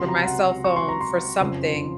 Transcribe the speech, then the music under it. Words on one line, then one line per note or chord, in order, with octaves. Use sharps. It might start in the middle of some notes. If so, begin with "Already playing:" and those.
for my cell phone for something
Already playing: C#2 C3 F#3 C6
A#5
F#5
C#6
C6
A#5
C6
F#1 F2 C#3 F3